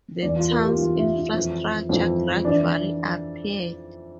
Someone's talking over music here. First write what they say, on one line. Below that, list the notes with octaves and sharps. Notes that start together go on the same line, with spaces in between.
The town's infrastructure gradually appeared.
E2 E3 D5
F4
A#4
G4
F4
E2 E3 F4
E4
E4
F2 E3
F2 E3
E3 D4